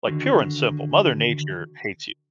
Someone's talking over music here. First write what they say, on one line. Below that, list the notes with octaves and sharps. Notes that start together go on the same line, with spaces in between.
like pure and simple. Mother Nature hates you.
D3 D#3 F#4